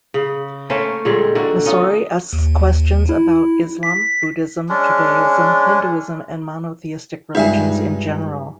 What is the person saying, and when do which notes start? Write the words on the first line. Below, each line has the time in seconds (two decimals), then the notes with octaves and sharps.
Messori asks questions about Islam, Buddhism, Judaism, Hinduism, and monotheistic religions in general.
0.14 C#3
0.70 A3 A#3 C#4 C5
1.05 A#2 D3 G3 G#3
1.35 D3 C4 F#4 A#4
1.66 C#4 D#4 F4
2.33 D#2
3.09 E4
3.83 B6
4.69 G#3 C#4 D4
7.35 C#2 G2 G3 D#4 E5 G#5